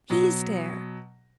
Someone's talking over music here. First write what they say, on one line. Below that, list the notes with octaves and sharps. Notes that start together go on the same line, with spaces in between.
"He's there!"
B2 F#3